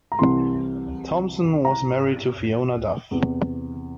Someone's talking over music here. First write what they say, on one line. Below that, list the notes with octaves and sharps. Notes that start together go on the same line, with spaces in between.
Thompson was married to Fiona Duff.
A#5
C2 C3 E3 C6
A#5
E2 C3 E3